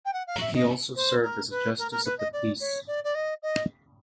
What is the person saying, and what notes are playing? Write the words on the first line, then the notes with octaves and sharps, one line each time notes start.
He also served as a justice of the peace.
G5
F#5
F5
E5
D#5
C5
A#4
B4
A#4
A#4
B4
D#5
D5
C#5
D5
D5
D#5
D#5